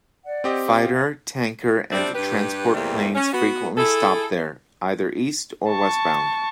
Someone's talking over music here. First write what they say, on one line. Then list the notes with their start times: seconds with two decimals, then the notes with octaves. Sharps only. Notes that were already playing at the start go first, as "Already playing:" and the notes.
Fighter, tanker and transport planes frequently stopped there, either east or westbound.
0.24 D5 F#5
0.44 C4 G4 D#5
0.78 F5
1.91 G3 A3 C4 D4
2.13 G2 G4 B4
2.73 E2 C3 G3 A3 A#3
3.14 C#4
3.32 B3 F#4
3.76 E4 G#4 A4
5.69 A5 C#6